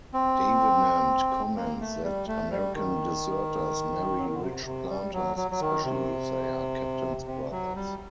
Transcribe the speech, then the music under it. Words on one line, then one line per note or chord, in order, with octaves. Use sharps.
Davenant comments that American deserters marry rich planters, especially if they are captain's brothers.
C4
A#3
A3
G3
A3
G3
D#3
F#3
D#3
D3
C3
C3
G3
F#3
F#3
F#3
D#3
C3
C3
F#3
G3